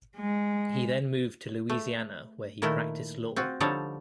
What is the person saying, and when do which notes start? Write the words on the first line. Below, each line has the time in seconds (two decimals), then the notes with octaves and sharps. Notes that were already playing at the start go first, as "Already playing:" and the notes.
He then moved to Louisiana, where he practiced law.
0.17 G#3
1.69 A3
2.62 A#2 D#3 A3 E4 A#4
3.36 C4 F4 F#4
3.60 D3 F3 G3 D#4 A4 C#5